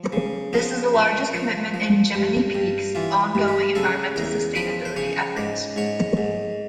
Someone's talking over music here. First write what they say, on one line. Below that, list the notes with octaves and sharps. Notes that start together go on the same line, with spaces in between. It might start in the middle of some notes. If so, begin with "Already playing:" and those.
This is the largest commitment in Jiminy Peak's ongoing environmental sustainability efforts.
Already playing: F3
C#3
F3 B3
A#2
F3
F3
G2
G2
E3 F4
G2
G4
C#3 A4
E2 A#4
F3 B4
C5
C#3 C#5
G#2 D5
G#2 C#5
G#2